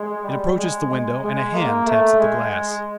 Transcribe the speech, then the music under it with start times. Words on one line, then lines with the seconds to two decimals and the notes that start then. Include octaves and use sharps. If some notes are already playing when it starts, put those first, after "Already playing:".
It approaches the window, and a hand taps at the glass.
Already playing: G#3
0.24 G3
0.57 G#3
0.90 G#3
1.23 G#3
1.55 A#3
1.87 A3
2.19 G#3